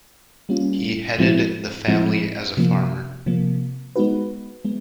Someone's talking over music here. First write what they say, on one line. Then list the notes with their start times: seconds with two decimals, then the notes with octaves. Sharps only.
He headed the family as a farmer.
0.49 G3 A#3 C#4 F4
1.19 A2 F3 G#3 C4 E4
1.88 A2 F3 G#3 C4 E4
2.57 C3 F3 A#3
3.26 C3 F3 A#3
3.96 G#3 B3 D#4 F#4 B4
4.65 G#3 B3